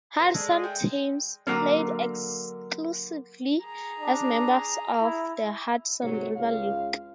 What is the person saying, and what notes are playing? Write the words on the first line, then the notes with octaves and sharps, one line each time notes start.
Hudson teams played exclusively as members of the Hudson River League.
C3 D#3 C5 A#5
G#3 D4 A4
A3 G#4 G5
D3 F#3 A#3 C#4
G#4 A#5
D4
E4
G#2 C3 F#3 C#5
C#2 F5